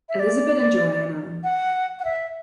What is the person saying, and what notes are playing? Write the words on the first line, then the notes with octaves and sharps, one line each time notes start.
Elisabet and Joana.
E5
D5
F#5
F#5
E5